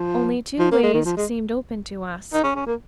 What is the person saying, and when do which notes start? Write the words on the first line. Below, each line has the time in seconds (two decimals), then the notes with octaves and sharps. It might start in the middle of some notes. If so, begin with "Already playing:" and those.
Only two ways seemed open to us.
Already playing: F3
0.59 F3
0.72 A#3
0.83 G#3
0.94 D#3
1.05 F3
1.17 G#3
2.33 D#4
2.44 C#4
2.55 C#4
2.66 A#3